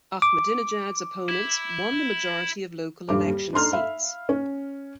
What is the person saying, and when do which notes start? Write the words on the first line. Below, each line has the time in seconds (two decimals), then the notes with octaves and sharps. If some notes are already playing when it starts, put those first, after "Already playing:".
Ahmadinejad's opponents won the majority of local election seats.
0.22 D6
1.29 E4
3.09 D#1 G2 D6
3.28 G3
3.53 D4 D#4 C6 F6
3.72 E5 F5 B5
4.29 C#4